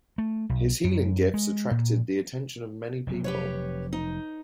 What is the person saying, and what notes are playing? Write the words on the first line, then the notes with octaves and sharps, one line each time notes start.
His healing gifts attracted the attention of many people.
A3
B1
F#2
G#3
A#2
F1 C3 F#3
G4 B4 C#5
D#4